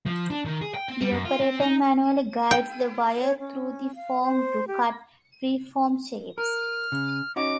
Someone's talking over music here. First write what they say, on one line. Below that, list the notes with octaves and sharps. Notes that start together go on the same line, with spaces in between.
The operator manually guides the wire through the foam to cut freeform shapes.
F3
D4
D#3
G#4
G5
C4
G3
F#2
F4
C4
D#4
G5
C#5
C#4
F5
C5
G4
A#4 F6
C#3
C#4 D#4 F#4 D6